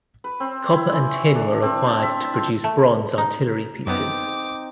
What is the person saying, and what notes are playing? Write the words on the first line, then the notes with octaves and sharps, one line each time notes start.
Copper and tin were required to produce bronze artillery pieces.
B4
C4
E4
E3
C#6
D4
C4
A5
E5
A5
F4
A3
D#4
F#2 B3 C4 D#4 D6